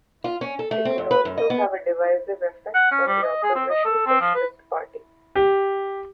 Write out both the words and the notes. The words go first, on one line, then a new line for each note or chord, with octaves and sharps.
It would also have a divisive effect on the opposition Socialist Party.
F4
C#4
A4
A3
C4
F2
B4
F#2
D#5
B3
F#5
C#4
G3
D#5
G#4
C4
D#5
A4
C4
F3
B4
G4